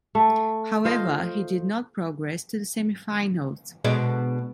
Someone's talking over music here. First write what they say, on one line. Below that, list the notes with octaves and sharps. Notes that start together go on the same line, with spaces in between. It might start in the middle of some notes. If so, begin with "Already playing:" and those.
However, he did not progress to the semi-finals.
A3
F4 C5 D#5
B2 G#3 D4